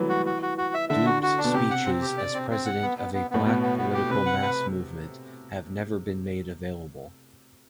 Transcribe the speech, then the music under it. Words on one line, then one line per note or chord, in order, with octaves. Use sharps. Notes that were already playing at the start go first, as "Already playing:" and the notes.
Dube's speeches as president of a black political mass-movement have never been made available.
Already playing: E3 F#3 G3 A3
F#4
F#4
F#4
F#4
E5
D3 E5
F#4
F#4
D4
B2
C3 G4
F#5
C4
G4
D5
C4
C4
F#5
B3
B3
B3
A2 B3
B2 B3
B3
B3
G4
C3 B4
F#5
B4